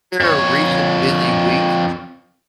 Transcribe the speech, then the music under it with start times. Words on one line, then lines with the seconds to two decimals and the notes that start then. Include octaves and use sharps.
There a recent busy week
0.20 F2 C#5